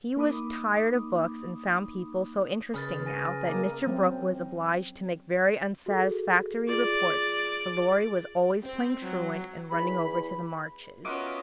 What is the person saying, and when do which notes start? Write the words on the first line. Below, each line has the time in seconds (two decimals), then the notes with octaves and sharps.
He was tired of books, and found people so interesting now that Mr. Brooke was obliged to make very unsatisfactory reports, for Laurie was always playing truant and running over to the Marches'.
0.17 A#3 D#4 B5 D6 D#6
2.74 C#3 B4 D#6 F6 A6
3.06 G#5 A#6 D#7
3.45 A#3 A#5
3.87 F#3 C4 C#4
5.86 F#4 G#4 A4
6.69 F4 G#4 D5
8.64 C4
9.02 F#3
9.70 E2 E4 B5
11.05 B3 C#4 F4 F#4 A#4 D#5 E5 D6